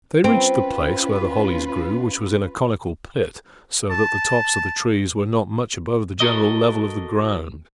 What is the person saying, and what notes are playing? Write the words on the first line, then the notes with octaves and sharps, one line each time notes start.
They reached the place where the hollies grew, which was in a conical pit, so that the tops of the trees were not much above the general level of the ground.
C4 C#4 F4 B4
A5
F#4 A4 A#4 D#5